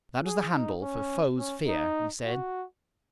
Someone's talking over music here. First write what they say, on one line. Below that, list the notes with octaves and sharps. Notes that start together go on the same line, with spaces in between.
"That is the handle for 'Foes'-fear,'" he said.
G#4
D#4
C#4
C#4
D#4
F#4